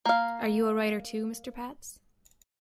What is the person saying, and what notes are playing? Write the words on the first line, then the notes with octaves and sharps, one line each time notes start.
Are you a writer too, Mr. Pats?
A#3 F5